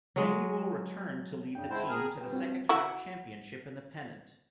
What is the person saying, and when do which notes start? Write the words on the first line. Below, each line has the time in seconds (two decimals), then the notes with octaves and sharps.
Manuel returned to lead the team to the second-half championship and the pennant.
0.16 F#3 G#3
1.55 F#2 C#3 D4 G5
1.70 G#3 E4 C5 F#5 G5 A5
1.89 G#4 A#4
2.18 G2 B4 G5
2.33 C4 F#4
2.69 E4 F#4